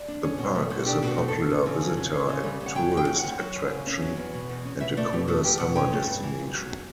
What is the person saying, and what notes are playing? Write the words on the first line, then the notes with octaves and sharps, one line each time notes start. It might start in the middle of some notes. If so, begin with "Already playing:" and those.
The park is a popular visitor and tourist attraction, and a cooler summer destination.
Already playing: D5
D4
C#4
B2
A3
B2
F#4
D4 G4
B2 F#4
A3
A4
B2
C#4
C#3
F#3
C#3
C#4
C#3
G3
C#3
F#5
F#3 G5
D2
G5
C#3
F#5
D2
F#3
F#2
C#3
C#4
F#3
E2
B2
E2
C#4
B2 E5
A3 D5
B2 G4
A3 F#4
E2 G4
B2 F#5
C#4 G5
A3
G2
E3
G2
F#3